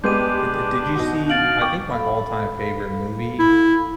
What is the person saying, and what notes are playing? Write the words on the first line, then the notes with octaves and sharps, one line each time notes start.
uh, di did you see I think my all-time favorite movie,
G#3 B3 D4 G4 G6 D#7
B2 D#4 F#4
F5 A6 D7 F#7
G5 C#6 D6
A4 F5 B5
E4